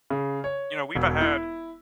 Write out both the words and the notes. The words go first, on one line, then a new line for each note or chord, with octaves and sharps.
you know, we've, uh, had
C#3
C#5
E1
E4